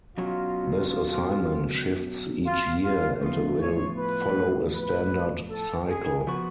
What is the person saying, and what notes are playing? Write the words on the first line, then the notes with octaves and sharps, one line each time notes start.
This assignment shifts each year and will follow a standard cycle.
B2 F#3 C#4 F4 F#4
F4
F4
A2 F3 B3 F4
C#5
B4
B4
A4
G#4
F3 B3 F#4